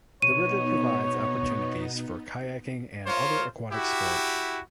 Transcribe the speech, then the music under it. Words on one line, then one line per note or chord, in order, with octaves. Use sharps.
The river provides opportunities for kayaking and other aquatic sport.
B2 B3 D#4 C#5 D#7
F4 A#4 C5 C#5
E4 F#4 G4